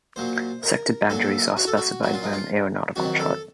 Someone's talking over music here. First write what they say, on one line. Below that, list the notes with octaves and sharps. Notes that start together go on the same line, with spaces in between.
Sector boundaries are specified by an aeronautical chart.
A#2 F#3 C5
A#4
A#2 F#3 A4
F#4
A4
F#4
A#2 F#3 F#4
F4
D#4
F4
F2 D#3 F#3 F#4
A4